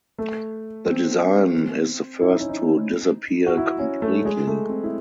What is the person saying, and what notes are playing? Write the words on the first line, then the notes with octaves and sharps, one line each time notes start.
The design is the first to disappear completely.
A3
C4
E4
D#4
C#4
D#4
F#4
E4
C#4
A3
G#3
A3
C4
E4